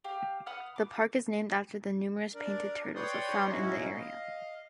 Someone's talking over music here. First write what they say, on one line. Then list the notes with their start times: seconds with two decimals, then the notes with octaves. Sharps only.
The park is named after the numerous painted turtles found in the area.
0.04 G4 F5
0.46 B4 F#5 D#6 F6
0.76 D6
2.35 D4 A#4 D5
2.95 B4 C#5 D5 G5 C6 D#6
3.49 A2 G#3 C#4 D#4 E4 F#4
3.94 D#5 F5